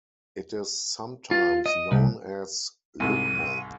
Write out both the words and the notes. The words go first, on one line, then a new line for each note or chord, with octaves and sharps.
It is sometimes known as lucmo.
F4
D#5
C2
C2 G#2 C3 D#7